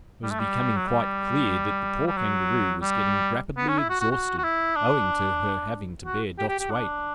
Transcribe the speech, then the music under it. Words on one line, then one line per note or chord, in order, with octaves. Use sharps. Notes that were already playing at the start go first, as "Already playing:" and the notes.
It was becoming quite clear that the poor Kangaroo was getting rapidly exhausted, owing to her having to bear Dot's weight.
G3
A3
G3
F#3
G3
G3
F#3
G3
B3
C#4
E4
F#4
F#4
F#4
F#4
E4
D4
F#4
G4
G4
G4
D4